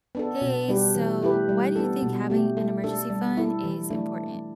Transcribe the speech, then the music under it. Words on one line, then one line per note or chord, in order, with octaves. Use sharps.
Hey. So, why do you think having an emergency fund is important?
B3 D4 A4
B2
G3 D4 G4 B4
E3
A3 E4 G4 B4
G3
B3 D4 A4
B2
A3 G4
A3
D4 A4
G3
E4 A4
E3
A3 D4